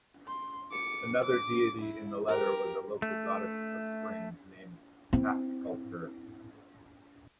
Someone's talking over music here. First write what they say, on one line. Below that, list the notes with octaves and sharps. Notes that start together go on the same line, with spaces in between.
Another deity in the letter was a local goddess of springs named Kaskalkur.
C6
D6 C#7
D6
E4
G4 A#4
A3
C4 E4